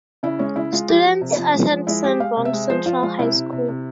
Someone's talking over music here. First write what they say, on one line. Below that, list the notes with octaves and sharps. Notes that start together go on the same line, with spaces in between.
Students attend Sanborn Central High School.
C#3 E4
G#3 C#4
C#3 E4
G#3 F4
F3 G4
F3
C3
F3
G#3
F3
G#3 E4
G#3 G4
G#3 F5
C3
E5
G#3
F3 C5
F3 F4
G#3 F4
C3 E4
C3
C3
C3